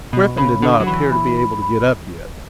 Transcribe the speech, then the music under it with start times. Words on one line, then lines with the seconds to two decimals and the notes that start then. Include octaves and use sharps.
But Griffin did not appear to be able to get up yet.
0.12 B2 B5
0.37 C#3 B5
0.62 D3 F#5
0.80 F#3
0.87 E3 B5
1.12 B5
1.38 B5
1.62 B5